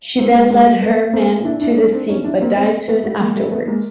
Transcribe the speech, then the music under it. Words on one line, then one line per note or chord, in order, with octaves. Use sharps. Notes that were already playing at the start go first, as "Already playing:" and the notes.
She then led her men to the sea, but died soon afterwards.
A#3 C4
G#3 A#3
G#3 A#3
G3 A3
A3 B3
A#3 C4
D4 E4
D4 E4
C#4 D#4
C4 D4
C#4 D#4
D4 E4
A#3 C4
A#3 C4
A3 B3
G3 A3
G#3 A#3
G3 A3
A3 B3
G#3 A#3